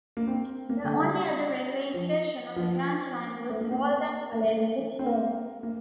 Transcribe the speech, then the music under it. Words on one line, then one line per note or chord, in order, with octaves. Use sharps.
The only other railway station on the branch line was Halton Holegate Halt.
A#3
C4
A#3
D3
A3
G3
F3
F3
A3
A#3
C4
A#3
A#3
A3
C4
A#3
A#3